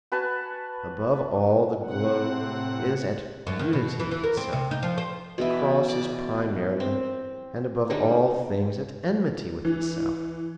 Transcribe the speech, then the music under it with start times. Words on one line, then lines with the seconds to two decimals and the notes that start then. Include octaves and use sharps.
Above all the globe is at unity with itself; the cross is primarily and above all things at enmity with itself.
0.12 F#4 B4 G#5 A5
1.83 A2 C3 C4 F#5
3.47 F#2
3.59 D#3
3.73 B2
3.99 E3
4.11 E3
4.24 A#4
4.37 C4
4.53 C3
4.71 D#4
4.83 F3
4.98 C5
5.38 B2 E3 E4
5.88 D5 D6
6.80 C4
7.90 D3 G3 G#3 D#4
9.65 E3